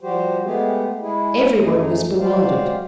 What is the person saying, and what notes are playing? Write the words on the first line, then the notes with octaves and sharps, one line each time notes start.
Everybody was bewildered.
F3 G3 F#4 G4 C5
G#3 A3 B3 G4 G#4
G#3 E4 G#4
F#2 A3 D#4 G#4
F#3 G#3 G4 C5 D5 F5